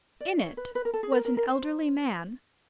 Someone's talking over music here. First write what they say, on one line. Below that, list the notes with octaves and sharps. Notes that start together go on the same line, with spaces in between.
In it was an elderly man.
D5
C#5
B4
B4
A#4
A4
G#4
A#4
A#4
A#4
C5